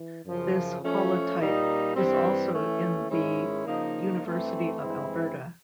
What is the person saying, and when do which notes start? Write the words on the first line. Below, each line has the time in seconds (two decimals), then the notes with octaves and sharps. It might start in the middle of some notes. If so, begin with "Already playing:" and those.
This holotype is also in the University of Alberta.
Already playing: E3
0.24 F#2 C#3 F3
0.81 F3 A3 C#4 F4
1.39 A#2 G3 A#3 D#4
1.95 G2 E3 G3 C4
2.53 E3 A3 C#4
3.09 G#2 D#3 G#3 C#4 E4
3.65 C#3 F3 A#3 D#4
4.23 G2 E3 A3 C4
4.79 G2 E3 G#3 C4 E4